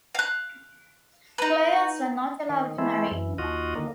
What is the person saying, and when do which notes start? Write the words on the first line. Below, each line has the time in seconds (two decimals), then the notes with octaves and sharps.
Players were not allowed to marry.
0.15 F5 F#6
1.38 D#4 B4
2.50 D#3
2.78 E3 G#3 A3 C4 E4
3.11 F#2 E3
3.38 D#2 F4 F#4 D#5
3.75 D3 D#3 A#3